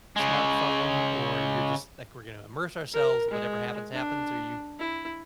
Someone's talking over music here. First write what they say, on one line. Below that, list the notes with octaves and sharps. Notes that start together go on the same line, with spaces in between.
smartphone or you're just like, "We're gonna immerse ourselves, whatever happens, happens," or are you
C#3 G#3
A#4
G#3
D4
E4